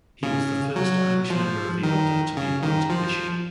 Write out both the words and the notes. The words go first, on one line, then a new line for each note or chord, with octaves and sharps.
He was the first Irish member of the order to be appointed Bishop.
C#3
F#3
F3
D#3
C#3
D#3
F3